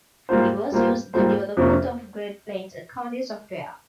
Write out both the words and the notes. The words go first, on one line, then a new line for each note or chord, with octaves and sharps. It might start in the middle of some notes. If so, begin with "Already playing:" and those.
It was used in the development of Great Plains accounting software.
G#2 G3 A#3 F4 C5
G#2 G3 A#3 F4 C5
G#2 G3 A#3 F4 C5
F2 C3 F3 A#3 C#4